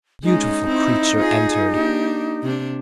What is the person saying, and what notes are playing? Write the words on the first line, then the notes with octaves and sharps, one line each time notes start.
A beautiful creature entered.
G#3 C#4 D#4
C4 E4
F4 G#4
A#3 D4 G4
C3 D4